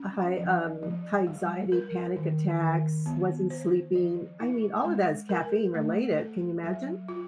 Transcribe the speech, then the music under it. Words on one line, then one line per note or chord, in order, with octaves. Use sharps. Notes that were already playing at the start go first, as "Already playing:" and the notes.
uh, high, um high anxiety, panic attacks, wasn't sleeping, I mean, all of that is caffeine related, can you imagine?
Already playing: C#4
F3
F3
G3
A#4
D#3
D#3
B3
C5
F3
E4
G#3
A#4
A3
A4
F#3
F4